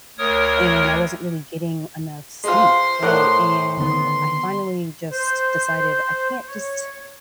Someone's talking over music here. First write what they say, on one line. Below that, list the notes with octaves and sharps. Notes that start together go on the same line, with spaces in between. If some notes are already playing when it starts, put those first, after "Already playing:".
and I wasn't really getting enough sleep, right? And I finally just decided I can't just
D2 A#4 C#5 D#6
G#3 F4 C5 C6
A2 A#4 D5 F#5
D3 D#3 B3 C6
C5
C#5